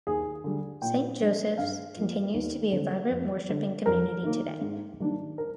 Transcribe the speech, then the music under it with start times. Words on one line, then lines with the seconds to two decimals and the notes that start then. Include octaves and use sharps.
Saint Joseph's continues to be a vibrant worshipping community today.
0.07 D#2 G#4
0.44 D3 G3
0.82 A#2 G5
1.21 G#3 D4
1.58 G2 F5
1.97 F3 A#3
2.34 D#2
2.72 D3 G3 C4
3.10 F2
3.48 D3 G3
3.86 F2 A#4
4.24 D#3 A#3
4.61 G#2
5.00 D#3 G3 A#3 D4
5.38 A#4